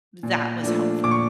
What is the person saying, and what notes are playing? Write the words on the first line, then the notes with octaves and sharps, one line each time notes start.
that was helpful.
A#2
F3 A3 D4
A#2 D6
C#6